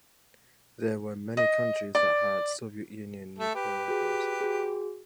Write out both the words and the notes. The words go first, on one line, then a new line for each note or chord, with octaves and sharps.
There were many countries that had Soviet Union nuclear weapons.
D#5
D5
A3 A4
G4 B4
F#4 G#4
F#4 G#4